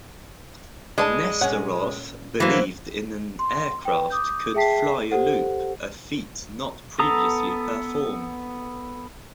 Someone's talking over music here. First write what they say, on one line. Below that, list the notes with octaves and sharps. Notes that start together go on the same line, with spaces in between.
Nesterov believed an aircraft could fly a loop, a feat not previously performed.
G#3 D4 B4 A5
A#2 C#4 C#5 F#5
E3 F#3 A#3 C4
C6
B4 G5
D6 D#6 G6
G#4 E5 G5 A5 B6 C7
G4 A4 C5 F#5
B3 A4 A#5 D#6